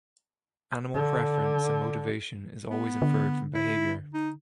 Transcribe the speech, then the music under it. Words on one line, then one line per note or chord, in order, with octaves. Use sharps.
Animal preference and motivation is always inferred from behavior.
D3
B3
D3
E4
D#4